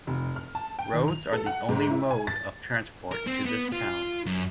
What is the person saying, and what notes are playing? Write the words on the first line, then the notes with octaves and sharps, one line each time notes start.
Roads are the only mode of transport to this town.
F1
F6
A5
G5
D#3
F7
A4
F#5
G#2
E4
G#5
A6
A#4
C4
B3
F4
F#2